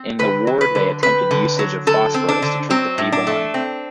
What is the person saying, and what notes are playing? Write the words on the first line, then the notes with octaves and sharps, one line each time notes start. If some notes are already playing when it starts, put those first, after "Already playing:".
In the ward they attempted usage of Phosphorus to treat the feeble-minded.
Already playing: C4
D3 B4
F#3
B4
D3
C4 B4
D3
F#3
D3 A4
C4
D4
D3
F#3 C4
A2
D4
A3
C4